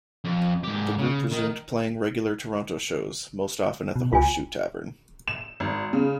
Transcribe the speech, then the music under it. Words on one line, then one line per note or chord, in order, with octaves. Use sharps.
The group resumed playing regular Toronto shows, most often at the Horseshoe Tavern.
F2
G#2 G4
C#3
D#3
B2
C#2 F4 G#5
E7
G#1
C#3